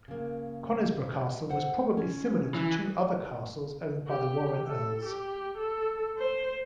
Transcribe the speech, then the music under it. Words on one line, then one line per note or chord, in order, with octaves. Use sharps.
Conisbrough Castle was probably similar to two other castles owned by the Warren earls.
C#3 A#3
A4 C5 F#5
C#4
E3
G4
A4
G4
A4
C5